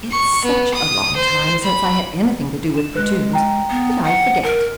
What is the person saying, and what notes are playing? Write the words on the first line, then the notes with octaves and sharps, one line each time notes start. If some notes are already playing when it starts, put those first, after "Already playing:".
It's such a long time since I had anything to do with platoons that I forget.
C#6
B3
D#6
C5
B5
D4 E7
G#3 B4 F#6
G5 A#5
B3
F#5
A#4